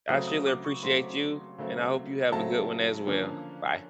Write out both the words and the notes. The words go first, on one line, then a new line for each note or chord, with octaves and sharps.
I surely appreciate you, and I hope you have a good one as well. Bye.
C#3 F#3 A3 C4 D#6
D#6
D6
C#6
C#3 F#3 A3 C4 C6
C#3 F#3 A3 C4
C#3 F#3 A3 C4 A5
D3 F3 A#3 C#4